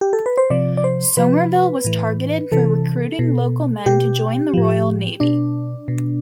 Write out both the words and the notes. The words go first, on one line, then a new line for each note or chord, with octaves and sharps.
Somerville was targeted for recruiting local men to join the Royal Navy.
G4
A4
B4
C5
C3 F3 D5
D5
C5
C3 F3 B4
A2 E3
C3 E3 A4
B2
B2 G4
A2 F3
B2 D4
B2